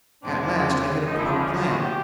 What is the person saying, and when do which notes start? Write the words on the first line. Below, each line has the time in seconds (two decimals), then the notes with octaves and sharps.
At last I hit upon a plan.
0.22 E2 B2 G#3 C4 D4
1.06 D3 F3 G#3 D#4
1.18 E4
1.27 D4
1.39 C#4
1.49 E4
1.59 F4
1.70 F#4
1.80 G4